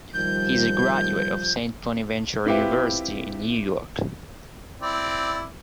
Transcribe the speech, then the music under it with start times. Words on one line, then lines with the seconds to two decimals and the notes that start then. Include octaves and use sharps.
He is a graduate of Saint Bonaventure University in New York.
0.14 D#3 F3 G3 G6
2.46 C4 E4 F4 G4 B4 E5
4.81 C4 E4 D5